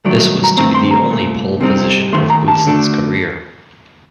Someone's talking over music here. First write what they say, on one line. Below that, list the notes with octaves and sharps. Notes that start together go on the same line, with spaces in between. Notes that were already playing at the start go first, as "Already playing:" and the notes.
This was to be the only pole position of Boutsen's career.
G2 D#3 F#3 A3 D5
D#5
A#5
G2 D#3 A3 C4 A#5
C6
A#5
C2 A#2 A3
C3 G3 C4 D#4
D#2 D#3 A3 C6
A#5
A5
D2 D3 A3 D4